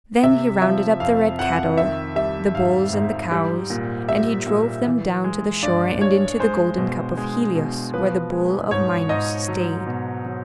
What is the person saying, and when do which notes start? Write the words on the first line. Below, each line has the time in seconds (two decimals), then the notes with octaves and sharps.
Then he rounded up the red cattle, the bulls and the cows, and he drove them down to the shore and into the golden cup of Helios where the bull of Minos stayed.
0.23 C3 E5
0.62 F3 E5
1.00 F2 F5
1.39 F2 F#5
1.77 D#3 E5
2.16 G3 E5
2.55 G#2 F5
2.93 G#2
3.32 G3
3.70 A#2
4.09 G3 E5
4.47 A#2
4.86 E3
5.24 G#3
5.63 G2 D5
6.01 G2 C#5
6.40 G#3 C5
6.78 B2
7.17 G#3
7.55 B2
7.94 F3 B4
8.32 G#3
8.71 G#2 C#5
9.09 G#2 D#5
9.48 F#3
9.87 B2
10.25 F#3